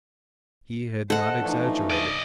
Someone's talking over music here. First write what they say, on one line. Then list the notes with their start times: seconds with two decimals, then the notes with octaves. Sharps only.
He had not exaggerated.
1.10 A4 C5 D#5 F#5
1.42 E3 F3 A3 D4 D#4
1.90 D5 D#5